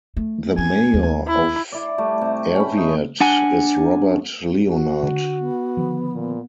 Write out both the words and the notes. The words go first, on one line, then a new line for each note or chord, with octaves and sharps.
The mayor of Arviat is Robert Leonard.
A3
C#4 G#5
D#2
E4
E4 D5
G3 A3
C3
C#4 B5
D#4
D4 F#5 G#5
F#4
D3
B3
D3 D#3 F3
A#2